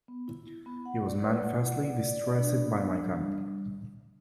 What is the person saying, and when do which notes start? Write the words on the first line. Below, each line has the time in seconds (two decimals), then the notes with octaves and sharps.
He was manifestly distressed by my coming.
0.08 B3
0.28 E4
0.47 E4
0.66 B3
0.86 F#5
1.05 D5
1.24 B4
1.42 F#5
1.61 E4
1.81 D5
2.00 D5
2.20 D5
2.38 D4
2.58 B3
2.77 D4
2.96 D4
3.16 G3
3.34 G3